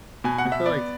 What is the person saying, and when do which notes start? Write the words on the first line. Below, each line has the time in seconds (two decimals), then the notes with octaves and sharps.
I feel like
0.24 B2 G#5
0.38 F#5
0.45 B2
0.52 E5
0.66 B3 D5